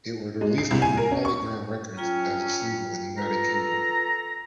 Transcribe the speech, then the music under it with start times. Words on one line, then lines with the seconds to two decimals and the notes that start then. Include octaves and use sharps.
It was released under PolyGram Records as a single in the United Kingdom.
0.41 G#3
0.58 C7
0.71 C2
0.82 G#5
0.97 A#4
1.12 C#4
1.25 C#6
1.97 F#3 C#4 F4 G5 A#5
3.18 F4 A4 B4 A#5